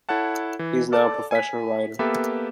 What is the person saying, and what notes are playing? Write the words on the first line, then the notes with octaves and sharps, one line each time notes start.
He is now a professional writer.
E4 A4 C#5 F#5 A5
E3
A4 D5 A5
G#5 B6
A#3 B3 G4 A4 B4 E5